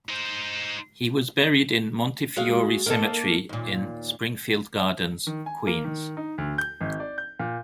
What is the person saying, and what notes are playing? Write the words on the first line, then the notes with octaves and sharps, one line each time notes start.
He was buried in Montefiore Cemetery in Springfield Gardens, Queens.
D#4 C5
G#3 F#4 F5
A#3 D#4 A4
D#2 A#2
D#3
G#5
A#3
D#3
D#4
D2
G6
G#1
D5
G6
A#2